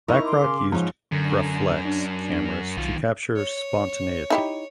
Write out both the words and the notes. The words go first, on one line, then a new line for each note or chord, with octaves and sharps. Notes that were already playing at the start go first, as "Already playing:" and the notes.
Bachrach used Graflex cameras "to capture spontaneity".
D#4 E4 A#4 D#5 C#6
C6 D6
C#3
G#2 F3 C#5
F#2 D3
D4
B1 D#3 F4
C#5
D#4 E4 G4